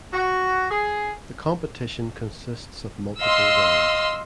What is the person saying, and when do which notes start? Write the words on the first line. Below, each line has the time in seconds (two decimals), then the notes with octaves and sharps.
The competition consists of multiple rounds.
0.13 F#4
0.70 G#4
3.20 D#5 F5 C6 E6